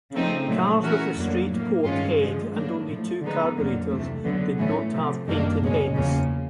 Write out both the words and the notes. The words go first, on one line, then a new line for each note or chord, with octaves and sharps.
Cars with the straight-port head and only two carburettors did not have painted heads.
C#3 F3 A3 C4 D#4
A#2 F#3 A3
E3 A3 C#4 F#4 A#4
F2 D3 F#3 A#3
A2 F3 A#3
G2 D#3 G#3 C#4 F4
D3 F3 G#3
A2 F#3 A#3 D4
A2 F3 A3
D3 F3 G#3 B3 D#4
F2 D3 F#3 A#3
D2 C3 E3 A3
D3 F#3 B3
A2 E3 A3 C#4
C3 F3 A3
F#2 D#3 G3 A#3 D4
C#2 B2 G#3 C#4
E2 C#3 F3 A#3 C#4